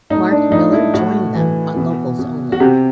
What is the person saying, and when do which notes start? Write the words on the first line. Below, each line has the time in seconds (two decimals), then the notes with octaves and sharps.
Mark Miller joined them on Locals Only.
0.10 A2 D#4
0.31 D4
0.52 A2 D#4
0.73 E4
0.94 A2 F#4
1.35 E3
1.76 B2
2.19 B2
2.52 F#4
2.60 C3 G4